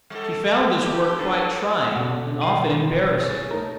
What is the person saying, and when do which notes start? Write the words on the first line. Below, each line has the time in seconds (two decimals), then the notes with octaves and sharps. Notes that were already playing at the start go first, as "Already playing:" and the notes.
She found this work quite trying, and often embarrassing.
0.10 G3 A4
0.51 B4
0.83 G4
1.18 B3 D4 A4
1.96 B2 F#4 A4 D5
2.41 D#3 C7 D#7
3.20 G#4 C#5 A6
3.51 A3 D#4 A#4